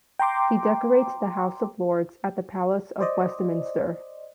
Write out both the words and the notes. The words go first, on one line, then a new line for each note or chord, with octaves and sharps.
He decorates the House of Lords at the Palace of Westminster.
G5 A#5 C6 D6
C5 D5 D#5